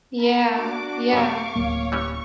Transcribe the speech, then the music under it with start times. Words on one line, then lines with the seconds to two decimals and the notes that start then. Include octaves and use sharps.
Yeah. Yeah.
0.19 A#4 B5
0.55 D4 F#4 D6
1.13 F#2 C3 F5 C#6 D6
1.56 D1 A#3 C#5
1.92 E3 G3 C#4 C#6